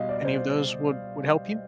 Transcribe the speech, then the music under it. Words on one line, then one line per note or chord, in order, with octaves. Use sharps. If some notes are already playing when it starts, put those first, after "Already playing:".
any of those would would help you?
Already playing: B2 G3 D#5 F5
D5
C5